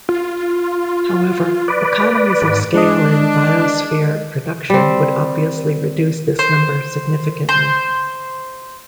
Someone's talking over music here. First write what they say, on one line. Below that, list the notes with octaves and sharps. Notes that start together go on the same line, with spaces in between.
However, economies of scale in biosphere production would obviously reduce this number significantly.
F4
B4 D5
G#2
G#3 D4 D#5
G3 C4
C5
C5